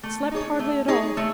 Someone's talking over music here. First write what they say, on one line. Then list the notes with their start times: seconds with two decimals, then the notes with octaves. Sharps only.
Slept hardly at all.
0.03 A3
0.31 D#4 G#4 C#5
0.59 A3
0.88 D#4 G#4 C#5
1.17 A3